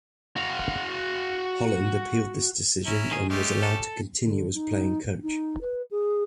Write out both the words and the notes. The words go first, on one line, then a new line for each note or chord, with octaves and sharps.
Holland appealed this decision and was allowed to continue as playing coach.
F#4 F5
C#4 E4 A#5
D#3 G#4
G#3 A3 C#4 G4
A4
D3
D#4
D#4
B4
G#4